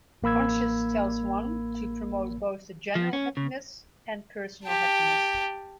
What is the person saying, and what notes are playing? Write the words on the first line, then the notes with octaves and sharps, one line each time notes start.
Conscience tells one to promote both the general happiness and personal happiness.
A1 A#3 B5 E6 G#6
F3
C#4
C#3
G4 A5